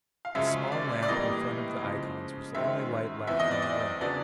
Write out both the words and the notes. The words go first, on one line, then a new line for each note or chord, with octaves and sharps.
The small lamp in front of the icons was the only light left in the room.
F5
F#2 C#3 F3 G#3 C#4 E5
D5
D5
A2 E3 G3 A#3 D#5
C#3 F3 G#3
F#2 D#3 G#3 C4 E5
E2 C3 E3 E5
D#5
D5
D#5
C#3 F#3 B3 D4 D5